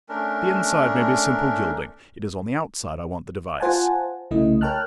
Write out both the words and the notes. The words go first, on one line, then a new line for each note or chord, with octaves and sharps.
The inside may be simple gilding: it is on the outside I want the device.
A3 C#4 D4 A#4
F4 C5 F#5 G#5 A5
C2 C#3 A3 E4 D#5
A#4 C#5 G5 A5 F6 F#6